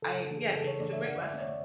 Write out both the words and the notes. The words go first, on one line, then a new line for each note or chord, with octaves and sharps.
I yeah, it's a great lesson.
C#3 A4
A4
E3 A3 D4
G#4
C#3 A4
C#5
E3 A3 D4 D5
E5
D3 F#5
D5
E5
A3 C#4 D5
C#5